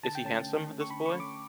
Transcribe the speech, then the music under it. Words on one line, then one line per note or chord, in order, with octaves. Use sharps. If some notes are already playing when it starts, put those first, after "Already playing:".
Is he handsome, this boy?
D3 A5
G5
A3 C#4 A5
D3
A3 C#4
C#6
D3 B5
C#6
A3 C#4
D6